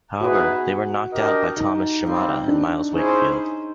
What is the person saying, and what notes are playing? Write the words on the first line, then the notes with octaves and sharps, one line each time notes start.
However they were knocked out by Thomas Shimada and Myles Wakefield.
B3 D#4 F#4 G#4 B4 E5
D4 G4 A#4 D#5
D#4
G3 C4 F4
D4
C#4 D#4 E4 G#4 C5